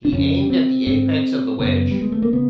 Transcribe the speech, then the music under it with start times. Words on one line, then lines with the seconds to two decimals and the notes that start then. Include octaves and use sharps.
He aimed at the apex of the wedge.
0.05 D4
0.12 F2 C#3 C#4
0.50 C4
0.87 G#2 C4
1.59 F#2 C#3 B3
1.91 G3
2.02 G#3
2.12 A3
2.22 A#3
2.33 C#3 B3